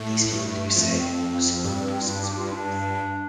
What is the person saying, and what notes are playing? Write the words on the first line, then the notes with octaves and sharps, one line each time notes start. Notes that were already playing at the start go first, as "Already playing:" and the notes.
These people, you say, are skilled workers and so forth.
Already playing: A2 A3
G2
F2 A3
C4
G2
F4
G2 D4
G4
D4
F4
D4